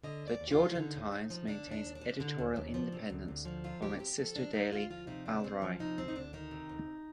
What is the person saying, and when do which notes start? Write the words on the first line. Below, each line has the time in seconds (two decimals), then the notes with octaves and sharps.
"The Jordan Times" maintains editorial independence from its sister daily "Al Rai".
0.03 D3 D#5
0.22 D#2
0.28 D5
0.40 D#2
0.48 G4
0.51 F4
0.58 F3
0.75 D3 D#4
0.94 D#2
1.12 D#2
1.30 F3
1.47 D3 D4
1.66 D#2
1.71 D4
1.83 D#2
1.95 D4
2.01 F3
2.20 D3
2.38 D#2
2.56 D#2
2.74 F3
2.92 C3
3.10 D2
3.28 D2
3.45 F3
3.64 C3 F4
3.82 D2 G4
3.99 D2 G4
4.18 F3 A4
4.36 C3 D4
4.53 D2 D#4
4.72 D2 F4
4.90 F3 F4
5.07 C3 D#4
5.26 D2 D4
5.43 D2 C4
5.62 F3
5.80 C3 D#4
5.98 D2 C4
6.08 D#4
6.16 D2 D4
6.33 D#3 D#4
6.51 C3
6.69 D2